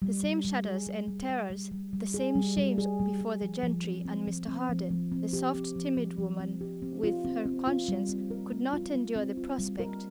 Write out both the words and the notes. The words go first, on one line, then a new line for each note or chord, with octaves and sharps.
The same shudders and terrors, the same shames before the gentry and Mr. Harden!--the soft, timid woman with her conscience could not endure the prospect.
G3
G3
G3
G#4
G3
G3
G3
G3
G3
G3
G#4
G3
G3
G#4
G3
G3
F3
F3
C4
C4
F3
C4
F3
F3
C4
G4
C4
F3
F3
F3
C4
G4
C4
F4
C4
C4
F4
G3
C4
A#4
C4
F4
G3
C4
F4
G3
A#4